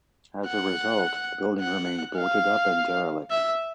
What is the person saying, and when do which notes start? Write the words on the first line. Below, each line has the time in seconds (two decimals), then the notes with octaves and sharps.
As a result, the building remained boarded up and derelict.
0.47 F#5
1.61 F#5
2.17 F5
3.30 E5